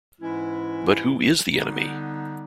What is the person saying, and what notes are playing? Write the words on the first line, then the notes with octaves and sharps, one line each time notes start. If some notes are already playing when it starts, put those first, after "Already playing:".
But who is the enemy?
G#2 E3 G#3 C#4 E4
D3 G3 B3 D#4